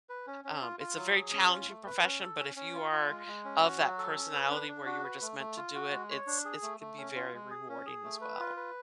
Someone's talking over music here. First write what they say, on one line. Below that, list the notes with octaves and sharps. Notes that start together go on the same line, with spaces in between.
Um, it's a very challenging profession, but if you are of that personality where you were just meant to do it it's, it can be very rewarding as well.
B4
C#4
C#4
F4
F4
F#3
G#4
C#4
F4
A3
B4
C#4
A4
C#4
C#4
F4
F4
G#3
G#3
C#4
F#4
F#3
A4
C#4
B4
D4
D4
F#4
B4
A3
A3
F4
F#4
G#3
C#5
D4
G#4
A3
A3
C#4
F4
G#3
G#4
C#4
G#4
A3
B4
F4
B4